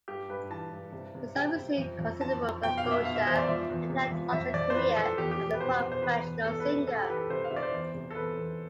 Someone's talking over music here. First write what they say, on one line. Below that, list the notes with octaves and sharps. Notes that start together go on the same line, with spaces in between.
The song received considerable exposure and helped launch her career as a professional singer.
G2 G4
G2 B4
E3 A5
G2
C3
C3
C3 G5
C3
F2
F2
E3 A5
F2
B2 G5
F5
B2
E5
B2 F5
E5
E2 C5
D5
F3 E5
E2
C3
F3
F2 E5
F2 D5
C5
E3 B4
F2 A4
E2 G4
G4
B2
B4
B2 C5
B2
C5
E2 B4
E2
E2 A4
B4
C3
C3 A4
G4
E3 B4
A4
C3 C5
F5
C3 E5
D5
C5
E2
C3
A4
E2 B4
E2